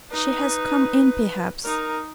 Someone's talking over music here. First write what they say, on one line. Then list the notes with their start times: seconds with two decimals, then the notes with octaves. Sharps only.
She has come in, perhaps.
0.11 D#4 B4
1.64 D#4 A#4